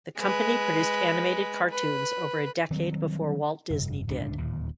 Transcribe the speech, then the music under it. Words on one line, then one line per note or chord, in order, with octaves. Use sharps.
The company produced animated cartoons over a decade before Walt Disney did.
G#3 B4
B4
D#3 F#3 G3 C4
F1 G2
D1 C#2 G2 D4
D1 D#2 A#2